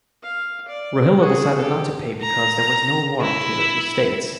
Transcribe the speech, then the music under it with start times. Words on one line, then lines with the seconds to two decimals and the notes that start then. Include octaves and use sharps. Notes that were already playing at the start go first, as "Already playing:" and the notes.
Rohilla decided not to pay because there was no war between the two states.
0.23 F5
0.68 D5
1.19 F#4 G#4
1.57 G4 A4
2.22 A#5
3.21 E4